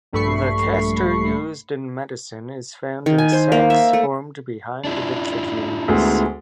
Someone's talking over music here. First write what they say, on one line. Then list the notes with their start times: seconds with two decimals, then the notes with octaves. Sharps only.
The castor used in medicine is found in sacs formed behind the kidneys.
0.13 A#1 G2 A3 B5 C#6 C7
3.06 D#3
3.18 G#5
3.32 C5
3.52 A#3
3.70 E5
3.93 A3
4.85 D4 E4 F4
5.88 D2 G#3 B3